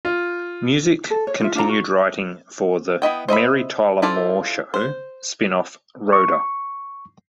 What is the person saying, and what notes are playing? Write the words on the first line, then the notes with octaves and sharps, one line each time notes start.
Music continued writing for the "Mary Tyler Moore Show" spin-off "Rhoda".
F4
A4
C#5
F4 E5
D4 F4 D5 A#5
F#4
B3 E4 D#5 G5
C5 D#5 E5 B5
E4 F4 A4 C5 D5
C5
C#6